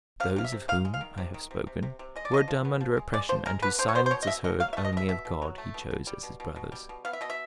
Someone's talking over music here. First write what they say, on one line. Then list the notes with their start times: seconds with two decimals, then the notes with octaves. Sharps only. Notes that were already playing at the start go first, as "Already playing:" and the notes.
Those of whom I have spoken, who are dumb under oppression, and 'whose silence is heard only of God,' he chose as his brothers.
0.20 C3 F5
0.36 C3 F5
0.44 E5
0.52 C3
0.68 D#3 F5
0.85 G#3
0.94 F5
1.01 D#3
1.18 C3
1.34 D#3
1.51 C3
1.67 C3
1.83 C3
1.99 C3
2.16 G#3 D#5
2.25 D5
2.32 F3 D#5
2.48 F3
2.65 B3
2.81 F3
2.97 G#3
3.14 G#3 D5
3.29 F3 C5
3.46 G#3 A#4
3.62 D3 B4
3.79 D3 C5
3.88 C#5
3.95 B3 C5
4.06 C5
4.11 B2 C#5
4.23 D#5
4.27 B2 E5
4.44 B2 D#5
4.60 F#3 F5
4.73 E5
4.77 A3
4.85 D#5
4.93 B2 E5
5.09 B2 E5
5.25 B2
5.42 F#3
5.58 A3
5.74 B2
5.91 B2
6.07 G3
6.23 B2
6.40 B2
6.56 B2
6.72 G3
6.89 B2
7.05 B3 F5
7.13 E5
7.21 B2 D#5
7.30 E5